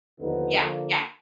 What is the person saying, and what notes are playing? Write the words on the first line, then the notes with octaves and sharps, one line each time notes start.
Yeah, yeah.
D#2 D3 F3 B3 D#4
D3 F3 A#3